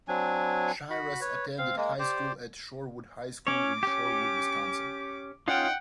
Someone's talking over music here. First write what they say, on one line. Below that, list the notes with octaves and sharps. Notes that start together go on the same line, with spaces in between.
Shiras attended high school at Shorewood High School in Shorewood, Wisconsin.
F#3 C4 D4 G#5
F#4 B5
B4 C#5
C4 F5
G#3 A#3
G4 C5 D5
C#4 C#5 D6
C#4 G4
C#4 D#4 F4 F#5 G5